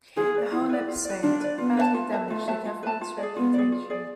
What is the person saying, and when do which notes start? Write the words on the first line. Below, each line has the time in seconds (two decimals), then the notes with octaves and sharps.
The whole episode badly damaged the government's reputation.
0.17 F4 G#4
0.35 B4 D5
0.52 E4 F4
0.69 B4 D5
0.88 F4
1.05 B4 D5
1.23 D4 F4
1.40 B4 D5
1.58 B3 F4
1.77 B4 E5 A5
1.94 F4
2.12 B4 E5 A5
2.29 A3 F4
2.48 B4 E5 A5
2.65 F4
2.83 B4 E5 A5
3.01 F4
3.18 G#4 D5
3.36 B3 F4
3.54 G#4 D5
3.72 F4
3.90 G#4 D5